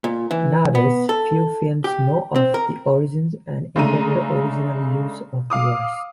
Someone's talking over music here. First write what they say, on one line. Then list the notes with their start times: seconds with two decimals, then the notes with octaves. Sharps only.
Nowadays few Finns know of the origins and intended original use of the words.
0.04 A#2
0.31 E3
0.75 B3
1.09 A4
1.84 G4
2.36 C4
2.54 A#4
3.76 C#3 G#3 A3 D4 A#5 D#7
5.50 F5 D6 D#6